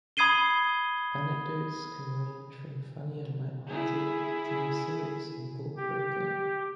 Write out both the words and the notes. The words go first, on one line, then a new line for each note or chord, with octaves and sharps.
Anecdotes can range from funny and light-hearted to more serious and thought-provoking.
B5 D#6 G#6 C7 D#7 G7
E4 G#4
G4